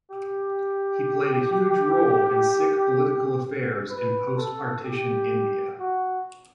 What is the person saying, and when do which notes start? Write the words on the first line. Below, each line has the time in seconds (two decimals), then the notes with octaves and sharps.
He played a huge role in Sikh political affairs in post partition India.
0.10 G4
3.90 B4
4.37 A4
4.84 G4
5.79 F#4